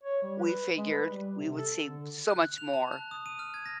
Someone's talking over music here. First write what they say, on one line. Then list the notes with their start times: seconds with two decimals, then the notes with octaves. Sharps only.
we figured we would see so much more
0.03 C#5
0.23 G3
0.39 B4
0.78 G#3
0.90 B4
1.10 G3
1.38 C3
1.57 A4
1.83 D3
2.30 F#6
2.43 F#6
2.58 F7
2.73 A5
2.92 F#6
3.11 D#6
3.26 D#7
3.39 F6
3.54 G#6
3.66 A#6